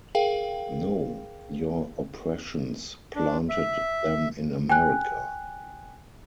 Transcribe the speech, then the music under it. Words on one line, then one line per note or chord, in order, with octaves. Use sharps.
No, your oppressions planted them in America.
G#4 A#4 F5 G5
D4
E5
G5 G#5 F#6